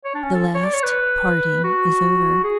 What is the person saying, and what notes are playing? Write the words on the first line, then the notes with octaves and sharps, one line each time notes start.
The last parting is over.
C#5
D4
C#4
A4
C#5
D5
C#5
B4
F#4
G#4